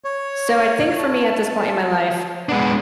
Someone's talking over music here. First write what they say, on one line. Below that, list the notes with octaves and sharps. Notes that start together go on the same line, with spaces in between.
So, I think for me at this point in my life,
C#5
A5
G#3 B3 D4